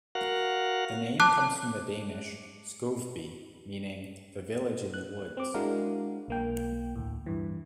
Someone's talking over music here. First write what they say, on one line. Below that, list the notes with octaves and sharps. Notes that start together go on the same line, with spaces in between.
The name comes from the Danish "Skovby", meaning the "Village in the Woods".
F#4 A#4 F5 F#5
A5 D6 F#6
F#6
C4 D6
G#3 D4 E4 F#4 A#4 F5
B1 A#3 G5
D2 A2
G2 E3